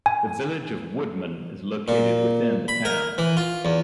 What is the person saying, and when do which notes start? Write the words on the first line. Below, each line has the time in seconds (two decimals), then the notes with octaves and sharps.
The Village of Woodman is located within the town.
0.06 G#5
1.88 A#2
2.68 B5
2.85 A#4
3.18 E3
3.37 F4
3.65 E2